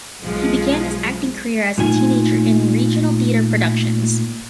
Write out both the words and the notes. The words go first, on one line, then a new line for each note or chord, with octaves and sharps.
He began his acting career as a teenager in regional theater productions.
B1 F3 G#3
A#2 A3 D#4 F4 G#5